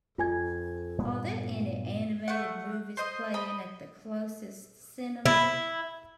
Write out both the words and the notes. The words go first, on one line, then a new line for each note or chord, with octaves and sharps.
Are there any animated movies playing at the closest cinema?
F2 F4 G#5 G#6
G2 A#2 B3
A3 F#5
C5 D#5
D#5 B5
E4